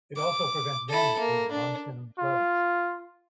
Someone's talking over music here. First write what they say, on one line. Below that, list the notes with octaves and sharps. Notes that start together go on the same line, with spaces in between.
It also prevents damage due to monsoon floods.
D6
E4 A4
A#3
D4
F4